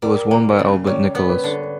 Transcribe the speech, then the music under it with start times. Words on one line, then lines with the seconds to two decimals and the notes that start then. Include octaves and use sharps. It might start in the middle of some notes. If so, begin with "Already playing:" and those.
It was won by Albert Nicholas.
0.02 G3 A#4
0.31 A#3
0.59 C#3
0.87 G3 C#5
1.15 B3
1.30 B4
1.44 D3